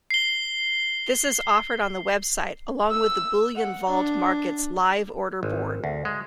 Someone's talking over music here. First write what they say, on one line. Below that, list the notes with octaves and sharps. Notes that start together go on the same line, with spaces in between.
This is offered on the website along with the BullionVault markets' live order board.
C7 G7
E6
F#5
D4
G#1
D2
G#3